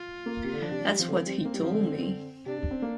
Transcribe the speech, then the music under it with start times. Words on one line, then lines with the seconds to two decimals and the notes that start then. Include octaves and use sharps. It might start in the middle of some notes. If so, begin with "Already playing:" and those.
That's what he told me.
Already playing: F4
0.26 A#3
0.44 C3
0.53 D3
0.62 F3 D4
0.71 C3
0.81 F3
0.89 G3
0.99 F3 C4
1.08 D3
1.17 F3
1.26 G3
1.45 A#3
1.54 G3
1.63 F3
1.72 D3
2.46 C3 D4
2.58 C3
2.71 C4
2.82 A#3